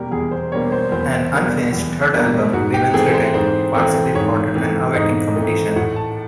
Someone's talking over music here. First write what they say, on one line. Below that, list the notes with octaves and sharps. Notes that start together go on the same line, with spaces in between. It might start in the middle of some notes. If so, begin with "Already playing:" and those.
An unfinished third album remains written, partially recorded and awaiting completion.
Already playing: E2 B2 G3 A#3 D4 G4 A#4
E2 G#4
C5
B2 G3 A#3 D4 C#5
C5
E2 C5
B2 G3 A#3 D4
E2
B2 G3 A#3 D4
G#2 F#4
G4
E3 A3 C4 G#4
C5
G#2 C5
E3 A3 C4
G#2 C#5
E3 A3 C4
G#2 D#5
E3 A3 C4
A2 F#5
A5